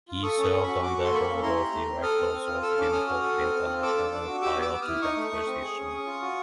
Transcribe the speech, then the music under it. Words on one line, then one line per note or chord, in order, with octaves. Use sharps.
He served on the Board of Directors of Dyncorp International prior to that position.
F4
A4 C#6 D#6
C#4
C#6 D#6
C#4
F#4 B5 C#6
F#4 D6
A4 C#6
C6
A#3 B5 C#6
C#4
E4 A#5 C6
G4
A3
C4
A4 D#6 F6
C4
C4
F4
A4 E6
F6
C#4 D6 E6
C#4 D#6 F6
F#4
A4
C4
C4
F4
A4 D6 E6
D4
D4
F#4
G4 D6 E6
B3 D6 E6
B3
D#6 F6
E4
D#4 C#6 D#6
A3
A3
C4
G#4
C#4
C#4
F4
F#4